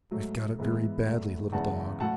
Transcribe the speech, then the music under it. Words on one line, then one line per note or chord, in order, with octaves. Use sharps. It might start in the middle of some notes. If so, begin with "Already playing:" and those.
'We've got it very badly, little dog!
G#2 F#3 A3
G#2 E3 G#3 B3
E2 B2 A3
E2 C#3 E3 G#3 B3 F#5 A5
A2 F#3 F#5 A5